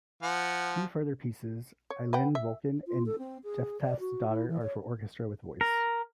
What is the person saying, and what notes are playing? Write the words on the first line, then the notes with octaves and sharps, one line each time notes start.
Two further pieces, "Eilende Wolken" and "Jephthah's Daughter", are for orchestra with voice.
F3 F#5
C#5
B4 F#5 G5
E5
F4
A4
C4
G#4
D5
F#4
E4
E3
C#5
A#4